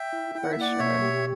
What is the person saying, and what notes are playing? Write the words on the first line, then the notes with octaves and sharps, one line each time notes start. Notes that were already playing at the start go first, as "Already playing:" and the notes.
For sure.
Already playing: E5 G5
E4
E4 G5
F#5
E5
A#3 D5 F#5
B2 C#5 E5
G4